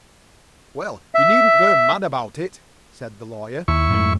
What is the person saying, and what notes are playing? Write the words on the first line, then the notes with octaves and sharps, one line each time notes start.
"Well, you needn't get mad about it," said the Lawyer.
E5
D#2 E4 C#6
F2 G#2 A3